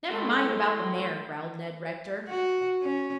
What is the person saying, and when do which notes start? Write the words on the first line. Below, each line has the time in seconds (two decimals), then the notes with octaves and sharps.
"Never mind about the mare," growled Ned Rector.
0.11 A2 G#3 A3 C6 E6
2.28 F#4
2.82 C#4